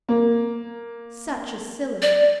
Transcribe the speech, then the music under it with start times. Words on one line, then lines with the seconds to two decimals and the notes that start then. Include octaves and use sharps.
Such a silly!
0.09 A#3
2.02 D5